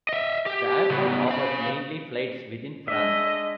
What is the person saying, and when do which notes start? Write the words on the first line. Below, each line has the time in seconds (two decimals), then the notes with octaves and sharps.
The airport offers mainly flights within France.
0.09 D#5 E5
0.46 G4
0.90 C#3 B3
1.28 G#4 F5
2.88 G#3 D4 D#5 E5